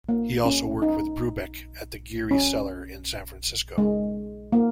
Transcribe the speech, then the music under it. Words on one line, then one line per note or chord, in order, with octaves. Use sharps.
He also worked with Brubeck at the Geary Cellar in San Francisco.
A#3
C#4
D#4
C#4
G#3
A#3